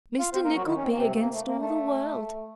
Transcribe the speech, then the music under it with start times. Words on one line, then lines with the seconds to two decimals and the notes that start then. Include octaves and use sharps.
Mr Nickleby against all the world.
0.20 F4 F5
0.34 C4 C5
0.44 A#3 A#4
0.55 F#3 F#4
0.66 D#3 D#4
0.76 C#4
0.83 C4
0.91 A#3
0.97 C3 C4
1.19 A#3
1.33 A3
1.47 A#3
1.61 A3